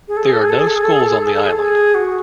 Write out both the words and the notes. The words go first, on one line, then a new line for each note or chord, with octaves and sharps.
There are no schools on the island.
G#4
A4
G#4
A4
G#4
A4
G#4
A4
G#4
A4
G#4
A4
G#4
A4
G#4
A4
G#4
A4
G#4
F#4